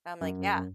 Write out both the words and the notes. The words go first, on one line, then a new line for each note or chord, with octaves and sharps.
I'm like, "Yeah."
F#2